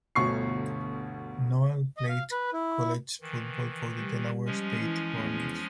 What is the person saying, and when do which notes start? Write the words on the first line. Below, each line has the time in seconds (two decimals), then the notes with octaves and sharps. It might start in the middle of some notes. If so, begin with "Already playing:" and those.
Noel played college football for the Delaware State Hornets.
0.15 G1 D2 B2 C#6 C7
1.97 D#5
2.09 F5
2.32 B4
2.53 E4
3.21 D#3 E3
3.99 G3
4.46 F3 G#3 C#4
4.80 E3
5.17 E2